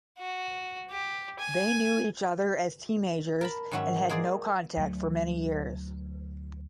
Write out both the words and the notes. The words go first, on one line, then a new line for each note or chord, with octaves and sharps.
They knew each other as teenagers, and had no contact for many years.
F#4
G4
G#5
A#4 A5 B5
G#2 D#3 F#3 C#4 F#4 E5
G#3 A#3 G#4 C5 D5
D2 F#3 A3